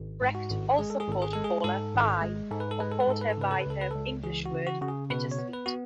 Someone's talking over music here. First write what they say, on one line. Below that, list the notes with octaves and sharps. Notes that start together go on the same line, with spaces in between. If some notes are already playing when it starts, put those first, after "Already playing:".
Brecht also called Paula "Bi" or called her by the English word "Bittersweet".
Already playing: G#1
G#2
F#4
G#1
G#3 G#4
A4
G#4
G#1 A4
G#4
G#3 A4
G#4
G#2 A4
G#1
G#3
G#2 A4
B4
A4
G#3 B4
A4
B4
G#2 A4
B4
A4
C#3 B4
A4
B4
C#2 A4
B4
C#2 A4
E3 G#4
F#4
C#3
F#4
C#3 F#4
G#4
B2 B4
C#5
B3
B4
B3 F#4